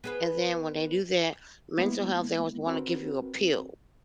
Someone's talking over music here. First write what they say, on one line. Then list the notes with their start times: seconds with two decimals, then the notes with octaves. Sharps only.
and then when they do that mental health, they always wanna give you a pill.
0.04 B3 G#4 B4
1.78 G#3 A#3 B3 E4
2.66 C4 F#4 A#4 B4